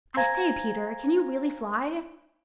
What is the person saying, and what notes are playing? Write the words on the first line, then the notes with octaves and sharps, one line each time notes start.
"I say, Peter, can you really fly?"
C5 F5 G#5 A#5 G#6 A#6